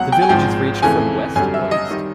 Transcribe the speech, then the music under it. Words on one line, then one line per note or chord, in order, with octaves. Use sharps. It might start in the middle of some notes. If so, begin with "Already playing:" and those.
The village is reached from west or east.
Already playing: C#2 B2 F#3 F#5
G5
G#5
G#1 G#2 F3 G#3 G5
F2 C#3 E3 A3 G#5
F#2 D3 G3 G#5
E5
D#5
D#3 G3